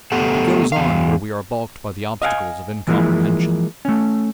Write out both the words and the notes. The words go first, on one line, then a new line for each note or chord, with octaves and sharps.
He goes on where we are balked by the obstacles of incomprehension.
A3 B3 G4 A4 F#5
E2 F5
D#5 F5 G5 G#5
E3 F3 G#3 A#3 E4
A3 C#4